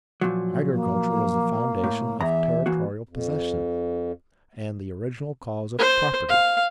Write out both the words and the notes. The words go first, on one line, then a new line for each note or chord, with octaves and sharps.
Agriculture was the foundation of territorial possession, and the original cause of property.
A#2 F3 F#3
A#3
A2
E2 E5 A#5
E3 A#3 F#4
F2
C5
F5